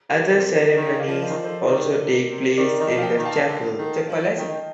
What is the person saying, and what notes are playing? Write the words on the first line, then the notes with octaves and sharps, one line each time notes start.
Other ceremonies also take place in the chapel.
G4 A#4
C3 A4 C5
A#4 D5
D#5
D#3 A#4 D5
D5 F5
F3
C5 D#5
D#3
F3
A4 C5
D#5
D#3 A#4 D5
D3
C3
D#3 A#4 D5
D#3 D#5 G5
F3
F5
D#5 G5
D#3
F5 A5
D3
D#3
F3
D#3 D#5 G5